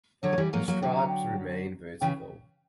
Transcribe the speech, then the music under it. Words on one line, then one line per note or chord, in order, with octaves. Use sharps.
The stripes remain vertical.
D3 F#3 C#5
A#3
E3 G3
F#3 A#3
F#3 A#3
D3 F#3 G5
A#5
G5
C#3 E3 G5